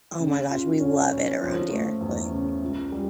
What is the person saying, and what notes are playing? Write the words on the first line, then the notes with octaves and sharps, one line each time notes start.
Oh my gosh, we love it around here. Like
C#3
F4
C#4
C#4
F3
A3
E2
C#3
C#2
G3